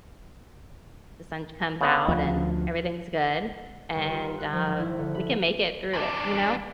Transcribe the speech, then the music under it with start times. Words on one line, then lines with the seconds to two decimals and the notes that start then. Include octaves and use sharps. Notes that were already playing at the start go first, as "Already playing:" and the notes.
the sun comes out and everything's good, and uh, we can make it through it, you know?
1.81 C#3 B3
2.08 D2 F3
3.95 G1
4.11 F4
4.38 F#6
4.53 F3
4.67 G#1
4.80 E4
4.98 D3
5.15 B5
5.93 E2 D4